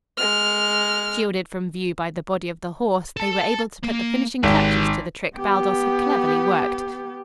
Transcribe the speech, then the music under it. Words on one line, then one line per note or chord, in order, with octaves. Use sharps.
Shielded from view by the body of the horse, they were able to put the finishing touches to the trick Baldos had cleverly worked.
G#3 F6
A4 A5
A#3
G#1 F#4 G4
B3 G4